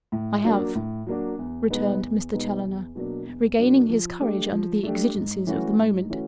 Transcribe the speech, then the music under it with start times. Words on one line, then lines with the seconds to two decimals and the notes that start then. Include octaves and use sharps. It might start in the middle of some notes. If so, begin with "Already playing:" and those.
"I have," returned Mr. Challoner, regaining his courage under the exigencies of the moment.
0.12 A2
0.44 F#3 A#3 D4 F#4
0.75 A2
1.07 F#3 A#3 D4 F#4
1.38 E2
1.70 B2 G#3 B3 D#4
2.01 E2
2.33 B2 G#3 B3 D#4
2.64 E2
2.95 B2 F#3 A#3 D4
3.27 E2
3.58 B2 F#3 A#3 D4
3.89 F3
4.21 A3 D4 G4
4.52 F3
4.83 A3 D4 G4
5.15 G#2
5.47 E3 A3 C#4 F#4
5.78 G#2
6.10 E3 A3 C#4 F#4